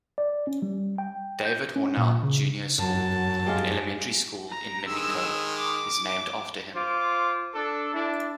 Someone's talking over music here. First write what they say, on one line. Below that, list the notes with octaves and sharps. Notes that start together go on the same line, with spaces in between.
David Hornell Junior School, an elementary school in Mimico is named after him.
D5
C#4
G3
G5
G6
C#4
A#2
C#3
F#2 F#3 A5
G3 G#3 F4
A#5
D#3 G#3 E6
D6
F4 C5 D6
D4 A4
D4 E4 A5